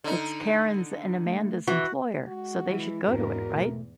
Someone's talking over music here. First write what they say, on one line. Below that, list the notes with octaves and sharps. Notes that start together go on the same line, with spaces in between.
It's Karen's and Amanda's employer, so they should go to it, right?
D3 D#4
A3
E3 F#4 E5
G#3 F#4
E3 G#3 E4
E2 G#2 C4 D4 F#4 A#4
B2 A3